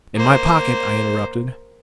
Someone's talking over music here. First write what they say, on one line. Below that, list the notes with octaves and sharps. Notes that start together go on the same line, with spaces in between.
"In my pocket!" I interrupted.
A#3 C5